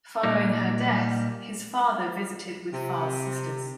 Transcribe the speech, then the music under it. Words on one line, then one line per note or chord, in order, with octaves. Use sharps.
Following her death, his father visited with Farr's sisters.
A#2 G3 A#3 D#4
C3